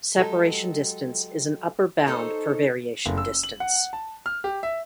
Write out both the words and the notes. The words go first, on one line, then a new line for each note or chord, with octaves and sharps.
Separation distance is an upper bound for variation distance.
F#3 G#3 G4 A4
D#4 A4 C5 C#5
F#1
E6
F#7
F#5
A5
F6
G4
E5